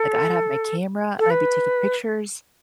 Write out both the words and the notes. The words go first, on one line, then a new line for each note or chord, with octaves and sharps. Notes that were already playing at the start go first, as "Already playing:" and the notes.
Like, I'd have my camera, and I'd be taking pictures,
Already playing: A4
A4
B4